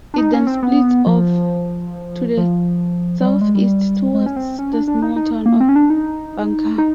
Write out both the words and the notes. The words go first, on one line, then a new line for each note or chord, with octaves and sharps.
It then splits off to the southeast towards the small town of Bunker.
D4
D#4
C#4
C4
B3
F3
F3
F#3
G3
G#3
G3
G#3
C#4
C4
C#4
D4
D4
D#4
D#4
A#3
C4
C#4
D4
D#4
D#4